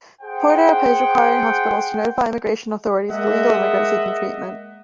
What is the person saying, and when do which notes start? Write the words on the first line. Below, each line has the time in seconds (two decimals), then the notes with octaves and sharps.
Porter opposed requiring hospitals to notify immigration authorities of illegal immigrants seeking treatment.
0.22 G#4 C5 F#5 G5
3.10 G#3 A#3 D#5 E5 F#5